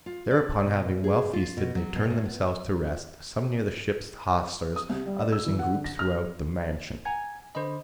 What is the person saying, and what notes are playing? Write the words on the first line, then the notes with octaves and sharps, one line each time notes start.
Thereupon having well feasted they turned themselves to rest, some near the ship's hawsers, others in groups throughout the mansion.
F4
D5
B2
G#4
F4
B2
F#3
B2
A2
B3
D#6
C2
G3
D5
E6
E3
F#5
D3
A#6
F6
F#5 G#5 A#5 G#6
D3 C5 D#5 B5